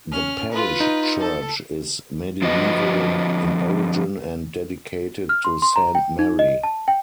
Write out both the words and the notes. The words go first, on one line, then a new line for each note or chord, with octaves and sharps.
The parish church is medieval in origin and dedicated to Saint Mary.
C#4 F6
F4 B4
D#4
A4 A5
F2 D3 F3 F#4 B4 D#5
F6
C6
C6
A#5
G5
D#4
D#5
A5
G5